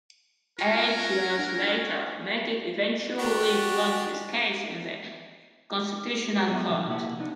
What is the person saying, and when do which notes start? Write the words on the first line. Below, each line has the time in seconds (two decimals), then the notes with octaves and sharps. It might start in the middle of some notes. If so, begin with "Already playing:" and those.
Eight years later, Makate eventually won his case in the Constitutional Court.
0.59 C#4 F4 F#4 A#4
1.39 D4
3.19 D4 F#4 G4
6.36 E4 F#4 G4 G5 G#5
6.48 F#3 G3 B3 F4 G#4 E5
6.69 C2 D3 F3
6.88 C3 A#3 E4 G4 F#5 A5
7.19 B3 D4 D#4